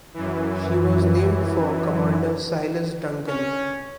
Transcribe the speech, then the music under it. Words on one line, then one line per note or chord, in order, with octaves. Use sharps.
She was named for Commander Silas Duncan.
F#2 E3
C#4